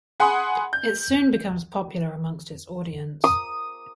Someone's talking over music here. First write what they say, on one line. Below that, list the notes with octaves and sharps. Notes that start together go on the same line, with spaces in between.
It soon became popular amongst its audience.
G#4 F#5 G#5 B5 C6 D#6
G6
D#6